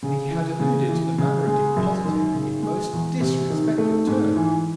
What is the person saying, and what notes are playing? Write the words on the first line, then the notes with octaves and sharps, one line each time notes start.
And he had alluded to the manner of depositing in most disrespectful terms.
C#3
E3
C#3
E3
C#3
G#3
F#2
D#3
C#3
G#3
E2
C3
D#3
A3
G#2
E3